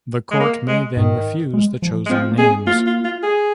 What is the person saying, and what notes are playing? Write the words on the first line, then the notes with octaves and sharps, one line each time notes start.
The court may then refuse the chosen names.
G#3
A#3
G#3
G#2 D#3
G#3
F3
G#3
F3 C4
A#3
C4 G#4
A#3 F4
F4
F4
G#4